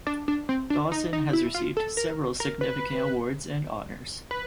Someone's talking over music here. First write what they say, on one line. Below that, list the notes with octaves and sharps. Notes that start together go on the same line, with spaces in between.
Dawson has received several significant awards and honors.
D4
D4
C4
D4
D#4
D#4
E4
F4
A4
A#4
A#4
B4
B4